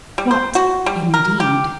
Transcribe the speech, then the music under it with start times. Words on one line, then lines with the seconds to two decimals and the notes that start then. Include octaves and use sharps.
What indeed!
0.18 G3
0.31 C5
0.55 F#4
0.86 G3
1.14 A#4
1.40 G4